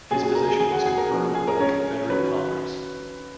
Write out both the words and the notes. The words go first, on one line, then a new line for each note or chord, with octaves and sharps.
His position was confirmed by the Confederate Congress.
A#2 F#3 C#4 G#4 G#5
G#4 G#5
A#4 A#5
G#4 G#5
G#4 G#5
F#4 F#5
G#4 G#5
A#4 A#5
F3 A#3 C#4
G#4 G#5
A#4 A#5
C#4 C#5
D#3 F#3 C#4 B4